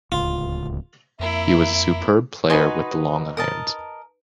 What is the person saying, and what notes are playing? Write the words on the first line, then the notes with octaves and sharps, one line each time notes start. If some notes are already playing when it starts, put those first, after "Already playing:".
He was a superb player with the long irons.
D1 C#2 F4
F2 A#3 E4 E5
D#4 F#4 B4 G#5 C6
A#4 D#5 A5